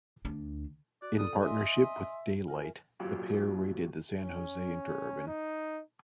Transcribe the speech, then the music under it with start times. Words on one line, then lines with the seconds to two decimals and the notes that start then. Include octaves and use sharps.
In partnership with Daylight, the pair raided the San Jose Interurban.
0.25 D2 D4
1.02 F#4 D5
1.18 F4 A4 D5 D#6
1.42 D#5 E5 G#5 C6
2.48 F4 A#4 E5 G#5
3.00 A#2 F#3 F4 G4
4.17 C#4
5.27 D#4